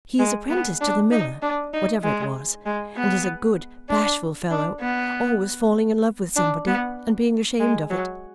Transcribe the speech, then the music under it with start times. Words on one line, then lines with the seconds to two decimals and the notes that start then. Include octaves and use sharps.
He is apprenticed to the miller, whatever it was, and is a good bashful fellow, always falling in love with somebody and being ashamed of it.
0.19 G#3
0.50 B3
0.81 D4
1.11 D#4
1.42 D4
1.73 D#4
2.04 G#3
2.66 G#3
2.97 B3
3.89 D4
4.51 D4
4.81 B3
6.36 D4
6.67 B3
7.60 G#3
7.90 F#3